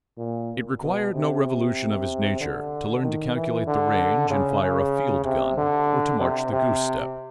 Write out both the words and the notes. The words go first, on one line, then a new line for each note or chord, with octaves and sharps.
It required no revolution of his nature to learn to calculate the range and fire a field gun or to march the goose-step.
A#2
B2
C3
D3
D#3
E3
D3
C#3
C#3
C3
D3
C3
C3